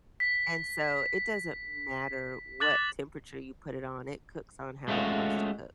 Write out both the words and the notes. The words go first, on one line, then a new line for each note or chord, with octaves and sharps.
and so, it doesn't matter what temperature you put it on. It cooks on how it wants to cook.
B6
D6 F#6 A6 F#7
G#3 A3 C#4 F4 F#4